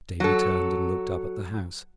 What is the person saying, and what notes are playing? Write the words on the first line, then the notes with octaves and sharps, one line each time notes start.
Davy turned and looked up at the house.
F#3 A4